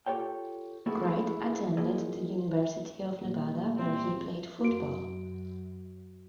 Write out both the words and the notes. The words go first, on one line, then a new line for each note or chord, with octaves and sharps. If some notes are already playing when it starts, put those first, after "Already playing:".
Wright attended the University of Nevada where he played football.
F4 G4 A4 C#5 G5
A3 B3 E4 F#4 G#4 A4
F#2 F3 A#3 E4 G#4 D#5
A#2 G3
C4
F#2 F#4 D7